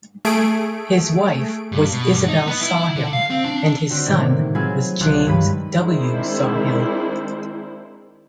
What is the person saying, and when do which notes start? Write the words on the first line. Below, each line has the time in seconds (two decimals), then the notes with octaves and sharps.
His wife was Isabel Sawhill and his son was James W. Sawhill.
0.25 A3 G#4 D7
1.72 G2
1.92 B2
2.11 G2
2.28 D#4
2.47 B3
2.61 E4
2.96 D3
3.13 F5
3.30 C4
3.45 D4
3.90 D3 C4 F#4 C5
4.06 A2 C3 D#3 A#3
4.29 A2
4.55 F#3 C4 F4 G#4 B4
5.01 C#2 C3 C6 F#6 A6
5.27 G2 D#3 B4 B5 B6
5.78 D#3 G#3 C4 D4 E4 C5